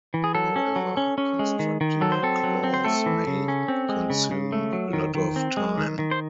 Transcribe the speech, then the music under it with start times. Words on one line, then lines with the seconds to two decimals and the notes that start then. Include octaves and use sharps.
However, constructing a clause "may" consume a lot of time.
0.14 E3
0.24 G#4
0.35 F#3 A4
0.56 C#4
0.76 F#3
0.97 C#4
1.18 C#4
1.39 G#3
1.59 D#3
1.81 D#3
2.01 F#3 A4
2.12 C5
2.23 C4 A4
2.44 F#3
2.64 C4
2.74 C5
2.84 A3 A4
3.06 E3
3.27 C#3
3.48 C#4
3.68 C4
3.89 G#3
4.10 C#3
4.31 C#3
4.52 A3
4.73 F#3
4.93 D#3
5.15 D#3
5.36 C4
5.57 G#3
5.78 D#3
5.99 D#3
6.11 C5